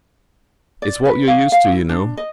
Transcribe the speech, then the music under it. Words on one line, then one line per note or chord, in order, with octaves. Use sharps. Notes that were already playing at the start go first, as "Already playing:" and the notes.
It's what you're used to, you know.
D5
B4
F5
F5
E4
D4
D#5